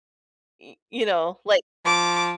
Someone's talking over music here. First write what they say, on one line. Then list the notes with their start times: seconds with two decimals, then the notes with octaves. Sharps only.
Y you know, like
1.85 F3 D6